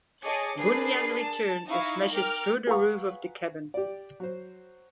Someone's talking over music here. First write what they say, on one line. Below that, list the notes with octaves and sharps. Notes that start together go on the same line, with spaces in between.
Bunyan returns and smashes through the roof of the cabin.
G#4 C#5 D#5 A5 D6 C#7
D4 G#4 A#4 B4 C7
A5
D#4 E4 F5 C#6
A#4 G5 D6 F6
G#4 B4 F5 F#5 A#5 C#6
G4 D5
F#3 C5